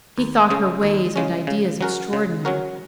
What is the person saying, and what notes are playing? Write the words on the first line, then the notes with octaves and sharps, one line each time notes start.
He thought her ways and ideas extraordinary.
D#2
C#3 G#3 C#4
D#2
C#3 G#3 C#4
C#3
F#3 C#4 F#4 A#4
C#3
F#3 C#4 F#4 A#4